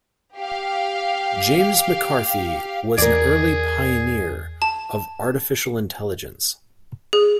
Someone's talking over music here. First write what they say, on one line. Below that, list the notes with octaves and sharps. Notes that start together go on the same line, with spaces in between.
James McCarthy was an early pioneer of artificial intelligence.
G4 F5
E2 G#4 A#4 D5
A5
G#4